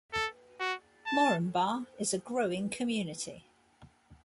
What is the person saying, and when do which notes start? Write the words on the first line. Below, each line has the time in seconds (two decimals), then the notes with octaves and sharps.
Moranbah is a growing community.
0.13 A4
0.60 F#4
1.06 A5